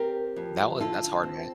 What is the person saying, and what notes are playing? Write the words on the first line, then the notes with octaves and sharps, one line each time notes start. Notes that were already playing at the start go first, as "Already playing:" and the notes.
that was that's hard, man.
Already playing: C4 G4 A#4
F2
D3 F4 A4
C4